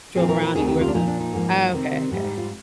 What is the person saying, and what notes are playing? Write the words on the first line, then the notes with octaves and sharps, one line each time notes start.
drove around and you were co Oh, okay, okay.
A#2 F3 C4 G#4
A#4
A#4
D2 C3 D#3 G#4
G4
F4
D4
A#2 F3 A#3 D#4
D4
D#4
G#2 F3 A#3
C3 D#3 G3 C4
G#2 G3 C4 D4
D#4
F4